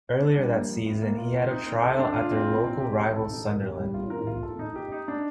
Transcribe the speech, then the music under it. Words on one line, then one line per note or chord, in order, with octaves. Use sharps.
Earlier that season, he had a trial at their local rivals Sunderland.
D4
G3
A#3
F3
A2
A#3
F4
C4
D#4
C4
A4
D4
F4
C4
A#2
C4
G4
C4
A4
D#4
A#4
G4
G3
F4
A#4
F4
A4
D#4
G4
D#4
D4